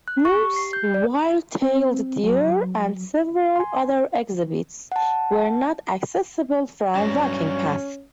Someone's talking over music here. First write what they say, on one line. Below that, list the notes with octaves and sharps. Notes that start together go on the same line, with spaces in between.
Moose, white-tailed deer and several other exhibits were not accessible from walking paths.
F#6
C#6
G4
C7
G6
D5
C4
F#3
G#5 C6
F#5 A5
G2 F#3 C#4